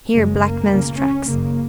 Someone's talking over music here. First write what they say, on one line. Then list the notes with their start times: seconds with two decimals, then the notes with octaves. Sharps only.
Here black man's tracks.
0.14 F#1 F#2 C#3 G#3
0.42 A#3
0.71 C#2 C#3
0.99 C#4
1.27 F#1 F#2 C#3 A#3